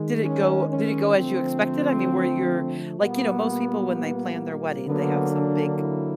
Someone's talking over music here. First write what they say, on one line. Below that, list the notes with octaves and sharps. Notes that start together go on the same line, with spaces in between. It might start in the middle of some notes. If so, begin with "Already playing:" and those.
Did it go Did it go as you expected? I mean, were your like, you know, most people when they plan their wedding, they have some big
Already playing: D#3 G#3
C#4
C#4
D3 F3 A3 C4
A#2 G3 A#3 B3
D3 F#3 A#3 B3
D4
E4